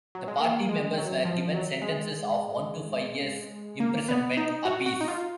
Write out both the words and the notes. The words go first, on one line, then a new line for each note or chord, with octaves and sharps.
The party members were given sentences of one to five years' imprisonment apiece.
F#3
G#3
A#3
G#3
F#3
F3
F#3
G#3
A#3
B3
D#4
F#4
F#4
D#4
F4